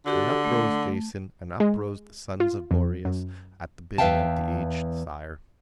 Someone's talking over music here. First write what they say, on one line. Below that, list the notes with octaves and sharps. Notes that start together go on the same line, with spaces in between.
And up rose Jason and up rose the sons of Boreas at the bidding of the aged sire.
D3 F#4 G4 A4
A3
G#3
F4
F2
F#2
E2 B4 E5 F5 G5 A5